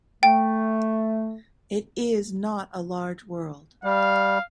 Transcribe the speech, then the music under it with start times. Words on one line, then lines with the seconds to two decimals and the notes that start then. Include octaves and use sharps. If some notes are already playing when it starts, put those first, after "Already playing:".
It is not a large world.
0.23 A3 G5
3.84 G3 F5